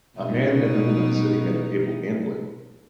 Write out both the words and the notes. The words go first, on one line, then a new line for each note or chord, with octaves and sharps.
A man and a woman sitting at a table gambling.
B2 D#4